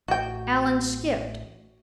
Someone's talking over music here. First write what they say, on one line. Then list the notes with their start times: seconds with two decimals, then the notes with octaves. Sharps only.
Allan skipped.
0.08 A1 F#4 G5